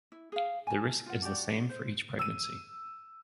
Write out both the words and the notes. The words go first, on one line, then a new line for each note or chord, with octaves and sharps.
The risk is the same for each pregnancy.
E4
G#4 F5
G#5 A5
F4 F#5
D4 F#4 G4 D5
C5
E6 D#7